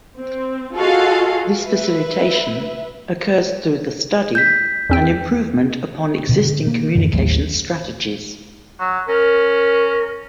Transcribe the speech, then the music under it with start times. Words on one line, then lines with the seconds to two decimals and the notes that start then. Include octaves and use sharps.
This facilitation occurs through the study and improvement upon existing communications strategies.
0.17 C4
0.75 F4 F#4 G#4 A4 D#5 F5
1.63 B4 E5
4.35 G6 B6
4.90 E2 C4 G5
6.29 B2 D3
6.67 A#3
6.95 F#2 D3 E3
7.13 A1 D#2 F#3 A3
8.80 F#3
9.08 C#4 A#4